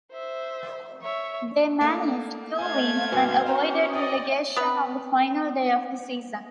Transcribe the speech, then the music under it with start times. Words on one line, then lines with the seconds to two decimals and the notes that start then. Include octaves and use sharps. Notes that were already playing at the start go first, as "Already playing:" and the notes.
They managed two wins and avoided relegation on the final day of the season.
0.12 C5 E5
1.02 C#5 E5
1.81 A3 A#3
2.59 A3 C5 F5 G#5 G#6
3.12 G2 B2 F#4 B4 G#5
3.46 C4 C#4 A#5
3.93 D5 D#5 G5 D#6
4.57 B3 C4 B4 D#6